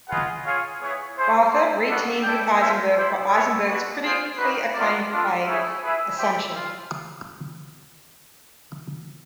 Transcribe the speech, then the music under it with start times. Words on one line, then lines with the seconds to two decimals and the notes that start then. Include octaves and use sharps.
Bartha re-teamed with Eisenberg for Eisenberg's critically acclaimed play, Asuncion.
0.09 F4 G#4 B4 D#5 F#5
0.45 F4 G#4 C#5 F5
0.80 B3 E4 G#4 C#5
1.17 E4 G#4 C5
1.52 E4 G#4 C5
1.88 G3 B3 D4 F#4 A4
2.24 E4 A4 D5 G5
2.60 C#4 F4 A4 C5 E5
2.95 E4 G4 C5
3.31 G#3 B3 E4 A4 C#5
3.66 D4 F#4 B4
4.02 F4 G#4 C5
4.38 A#3 D#4 F#4 B4
4.74 B3 D4 F4 A#4 D5
5.09 B3 D4 F4 A4
5.46 A3 C#4 E4 G#4
5.81 E4 G#4 B4 E5
6.17 E4 G4 C5 E5 G5
6.53 F4